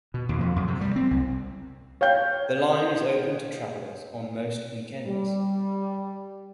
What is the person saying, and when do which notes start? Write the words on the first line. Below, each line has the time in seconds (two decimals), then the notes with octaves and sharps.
The line is open to travellers on most weekends.
0.14 B2
0.29 D#2
0.41 F2
0.56 F#2
0.67 C3
0.81 G3
0.96 C4
1.11 C2
2.01 C#5 F5 G5 G6
5.06 G3